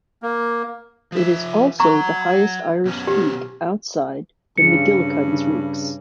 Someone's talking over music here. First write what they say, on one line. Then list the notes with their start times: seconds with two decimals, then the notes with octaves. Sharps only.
It is also the highest Irish peak outside the Macgillycuddy's Reeks.
0.23 A#3
1.12 F3 E5
1.80 F#3 A#5 C#6
2.86 B2 F#3 C#4
3.07 G4
4.58 G2 C#3 C#7